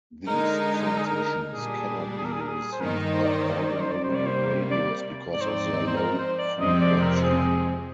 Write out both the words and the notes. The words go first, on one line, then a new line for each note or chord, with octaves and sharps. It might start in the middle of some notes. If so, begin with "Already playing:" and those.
These transmissions cannot be received by ordinary radios because of their low frequency.
D3 G#3 D#4 A#4
A#4
G#4
A#4
A#2 G3 D4 G#4
G#4
A#4
G#4
A#4
G#4
C5
G2 D#3 A#3 D#4 A#4
C5
D5
C5
D5
C5
D5
C5
D5
C3 G3 A#3 C5
D5
C5
D5
G#2 F3 C4 D#4 D5
C5
D5
C5
A#4
C5
D5
F2 C3 F3 G#3 C4 D#5
D5
A#4
G#4